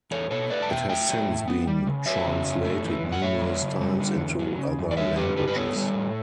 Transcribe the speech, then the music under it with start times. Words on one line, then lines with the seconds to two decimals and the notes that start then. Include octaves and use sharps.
It has since been translated numerous times into other languages.
0.11 E2 A4 C#5
0.31 B2 A4 C#5
0.50 A3 B4 D5
0.62 A5
0.69 B2 E5 G5
0.89 A3 E5 G5
1.09 F#3
1.29 A2
1.48 B3
1.67 G3
1.87 C#3
2.06 F#3 C#5 E5
2.26 C#3
2.44 F#2
2.65 A3
2.84 E3
3.03 F#2
3.12 F#5
3.22 A3 C#5 E5
3.42 F#3
3.62 C#3
3.81 G3
4.00 D3
4.20 E2
4.39 F#3
4.58 C#3
4.79 F#2
4.91 D5
4.97 G3 C#5 E5
5.16 D3 G4 B4
5.36 G2 G4 B4
5.48 B4
5.56 B3 A4 C#5
5.76 G3
5.94 A2